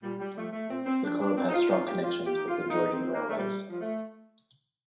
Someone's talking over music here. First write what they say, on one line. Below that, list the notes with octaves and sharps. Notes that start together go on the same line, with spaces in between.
The club has strong connections with the Georgian Railways.
A#2 G3
G3
F3 A3
A3
A#2 C4
C4
F3 D4
D4
F2 C4
D#4
F4
D#3 F4
G4
F2 F4
G4
D#3
F4
A#2 D#4
C4
F3
A#3
A3
A#2 G3
F3
A3